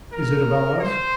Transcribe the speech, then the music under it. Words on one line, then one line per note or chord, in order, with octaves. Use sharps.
"Is it about us?"
A#4
C5